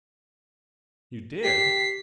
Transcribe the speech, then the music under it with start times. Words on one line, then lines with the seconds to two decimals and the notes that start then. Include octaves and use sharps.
"You did!"
1.44 G4 B6 C7